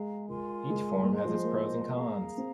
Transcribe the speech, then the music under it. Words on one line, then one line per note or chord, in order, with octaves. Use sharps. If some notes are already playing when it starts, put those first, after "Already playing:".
Each form has its pros and cons.
Already playing: G#3 F5 A#5
F4 A#4 G#5 C6
G#3
A#3
G#3 C5 D#5 C6
F3
G#3
A#3
G#4 F5 A#5
C4